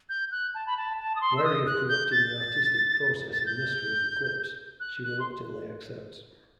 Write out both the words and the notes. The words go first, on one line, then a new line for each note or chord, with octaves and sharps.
Wary of corrupting the artistic process and mystery of the clips, she reluctantly accepts.
G6
F#6
A5
B5
A5
A5
D#6
C6
E6
D#6
F#6
G6
A6
A6
G6
F#6
F#6
C6